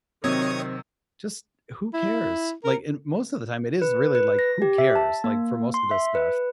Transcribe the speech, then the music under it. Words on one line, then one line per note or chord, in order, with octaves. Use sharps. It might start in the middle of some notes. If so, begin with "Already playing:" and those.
just who cares?" Like, in most of the time it is really like, "Who cares?" Like, for most of this stuff.
C3 D#3 F#3 C4 C#5 D#6 G#6
E4
A#4
B4
B4
A#6
G4
E5
A5
A#3
C6
E5
B4